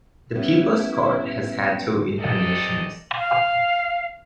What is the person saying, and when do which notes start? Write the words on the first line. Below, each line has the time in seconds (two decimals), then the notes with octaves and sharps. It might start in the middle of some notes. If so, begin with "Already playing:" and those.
"The People's Court" has had two incarnations.
0.35 G3 B3 C#4 E4
2.18 E2 C3 D#3 A4 D5 D#5
3.18 F5